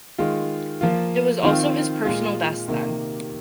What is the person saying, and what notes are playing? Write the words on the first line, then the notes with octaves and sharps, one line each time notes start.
It was also his personal best then.
D#3 G#3 F4
F3 A#3 F4
D#3 C4 F4
A#2 G#3 F4
C3 D#3 A#3